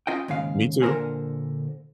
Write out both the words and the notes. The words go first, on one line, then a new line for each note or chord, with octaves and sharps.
Me too.
C#4 F4 D#5 G5
D#2 G#2 C#3 F5
A#2 D3 A#4 C5 G#5